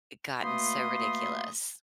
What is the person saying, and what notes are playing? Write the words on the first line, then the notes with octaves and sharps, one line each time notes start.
I gotten so ridiculous.
B2 A3 A#3 B5 C6 D#6